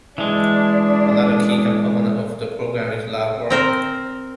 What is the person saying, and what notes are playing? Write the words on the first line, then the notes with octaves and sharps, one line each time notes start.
Another key component of the program is lab work.
E3 G#3 D4
C4 A#4 C5